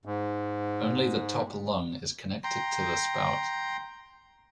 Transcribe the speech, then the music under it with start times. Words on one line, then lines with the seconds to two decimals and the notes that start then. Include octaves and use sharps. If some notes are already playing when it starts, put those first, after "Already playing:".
Only the top lung is connected to the spout.
0.05 G#2
2.44 G5 A#5 C6